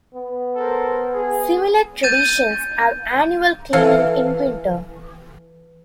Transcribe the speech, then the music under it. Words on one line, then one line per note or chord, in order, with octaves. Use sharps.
Similar traditions have annual cleaning in winter.
B3
A4 A#4 C5
G#4
G6 A6 D#7 E7
E3 A4 F5